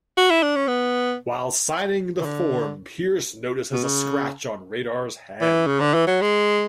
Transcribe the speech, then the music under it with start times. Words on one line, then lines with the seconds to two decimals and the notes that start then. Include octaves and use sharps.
While signing the form, Pierce notices a scratch on Radar's hand.
0.17 F#4
0.30 E4
0.42 D4
0.56 C#4
0.67 B3
2.21 E3
2.25 D3
3.72 B2
3.84 C#3
5.41 E3
5.67 C#3
5.80 D3
5.94 E3
6.07 F#3
6.22 G#3